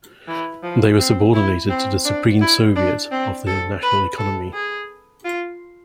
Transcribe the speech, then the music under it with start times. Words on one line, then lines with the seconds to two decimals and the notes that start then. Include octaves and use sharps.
They were subordinated to the Supreme Soviet of the National Economy.
0.28 E3
0.63 F3
0.99 C4
1.34 E4
1.70 C4
2.05 D4
2.41 E4
2.76 D4
3.12 C4
3.47 A4
3.83 B4
4.18 A4
4.53 G#4
5.25 F4